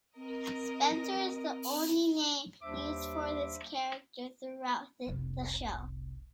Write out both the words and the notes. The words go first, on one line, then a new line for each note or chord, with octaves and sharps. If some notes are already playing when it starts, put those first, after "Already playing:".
Spenser is the only name used for this character throughout the show.
C4 A#4 D#5
D#2 G3 D4 C5 E5 D6
F1 C2